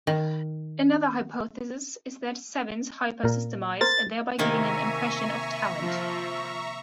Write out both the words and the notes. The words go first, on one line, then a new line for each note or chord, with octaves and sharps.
Another hypothesis is that savants hyper-systemize, thereby giving an impression of talent.
D#3
A#2 A#4
A#4 C5 A6
C3 D#3 A#3 E5 G#5 A#5 C#6
F3